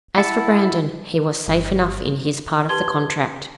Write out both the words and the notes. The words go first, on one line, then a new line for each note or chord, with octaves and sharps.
As for Brandon, he was safe enough in his part of the contract.
E4 F#5 A5
G1
G4 B4 A5 C6 G#6 G7